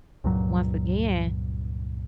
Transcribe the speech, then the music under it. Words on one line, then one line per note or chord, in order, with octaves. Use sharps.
once again
C#2 G2 A#2 F#3